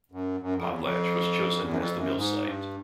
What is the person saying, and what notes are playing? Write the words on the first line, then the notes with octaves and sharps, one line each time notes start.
Potlatch was chosen as the mill site.
F#2
F#2
F2
E2
F2
E2
F#2
F2
F#2
G#2
G2